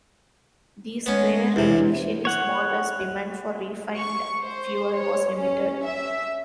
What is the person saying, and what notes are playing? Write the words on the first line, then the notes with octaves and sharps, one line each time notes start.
These were initially small as demand for refined fuel was limited.
G#3 B3 C#4
E2 C3 D4 E4 B4
C#5 F#5
C#6
C5
C#5
C#4
E5